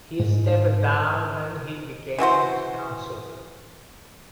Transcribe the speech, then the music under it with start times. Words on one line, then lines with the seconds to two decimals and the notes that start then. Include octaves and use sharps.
He stepped down when he became chancellor.
0.20 G#2
2.19 E3 E4 F#4 C5